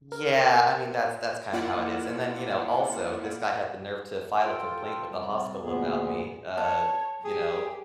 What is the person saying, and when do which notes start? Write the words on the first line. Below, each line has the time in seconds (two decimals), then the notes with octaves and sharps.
Yeah, I mean, that's that's kinda how it is, and then, you know, also, this guy had the nerve to file a complaint with the hospital about me, uh, you know,
0.12 A#4
1.53 A#3 E4 F4 D5 F#5
4.41 F4 A4 G5
5.07 C3 G3
5.62 D2 A#2 B3 G#4
6.57 C#5 A5
7.25 G4 G#4